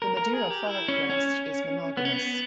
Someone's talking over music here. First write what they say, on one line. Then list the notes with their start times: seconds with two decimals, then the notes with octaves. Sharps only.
The Madeira firecrest is monogamous.
0.02 A#4
0.17 A#4
0.34 G#4
0.50 G4
0.67 E4
0.88 C#4
1.10 C#4
1.97 B3
2.05 C#4
2.13 B3